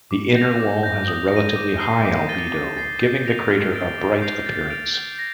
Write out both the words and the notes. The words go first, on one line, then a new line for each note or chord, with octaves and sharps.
The inner wall has a relatively high albedo, giving the crater a bright appearance.
D6
G6 A#6 F7
D6
G6 A#6
D#6
A#6 D#7
D6
G6 C7
D6
A6 D#7 G7
D6
A6 C7
G6
A#6 D7 F7
F6
A6 D7 G7
D6
G6 C7 F7
A6
D7 F7
G6
A#6